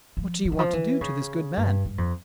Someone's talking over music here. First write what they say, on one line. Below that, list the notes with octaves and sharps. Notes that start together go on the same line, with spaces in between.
What do you want to do to this good man?
F3
F3
E3
F3
E3
C#3
G2
G2
F2